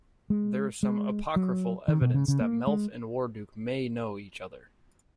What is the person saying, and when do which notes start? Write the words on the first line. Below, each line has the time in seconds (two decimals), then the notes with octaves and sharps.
There is some apocryphal evidence that Melf and Warduke may know each other.
0.30 G#3
0.83 G#3
1.36 F#3
1.88 D#3
2.01 B2
2.14 C#3
2.28 C#3
2.41 A#3
2.67 G#3